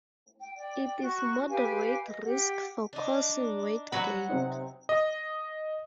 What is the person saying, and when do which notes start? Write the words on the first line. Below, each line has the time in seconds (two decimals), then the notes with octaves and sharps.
It is moderate risk for causing weight gain.
0.39 G5
0.56 D5 G5
1.03 F#4 C#6
1.49 G4 B4 F5 G#5
2.07 D#5
2.25 G4 F#5
2.93 D4 D#4
3.92 F#3 F#4 B4 F#5
4.29 C3 C4 D#4
4.89 D#5